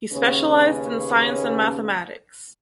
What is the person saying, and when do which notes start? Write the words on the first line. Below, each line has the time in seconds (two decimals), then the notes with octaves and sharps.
He specialised in science and mathematics.
0.13 D#2 C#3 A#3 C#4 B4 C#5